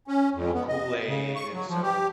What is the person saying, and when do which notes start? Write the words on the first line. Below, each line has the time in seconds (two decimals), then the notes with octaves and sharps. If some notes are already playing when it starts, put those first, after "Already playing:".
you know, Kool-Aid, and so,
0.08 C#4
0.35 F2
0.54 B3
0.68 D#5
1.07 C#3
1.36 C#6
1.53 F#3
1.69 F3
1.83 G4